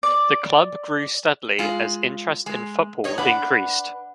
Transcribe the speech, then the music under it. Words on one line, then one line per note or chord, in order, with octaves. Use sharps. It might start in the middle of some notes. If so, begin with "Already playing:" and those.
The club grew steadily as interest in football increased.
D5
G#3 F4
G#3
C#5 D#5
D4 B4 F#5